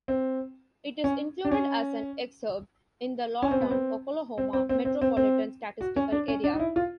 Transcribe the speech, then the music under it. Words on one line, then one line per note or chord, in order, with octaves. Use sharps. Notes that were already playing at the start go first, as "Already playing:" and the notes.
It is included as an exurb in the Lawton, Oklahoma, Metropolitan Statistical Area.
C4
C#4
D4
C#4
C#4
C4
B3
C4
C4
C4
C4
C4
C4
C4
F#4
C#4
D4
C#4
D4
D#4
E4
F4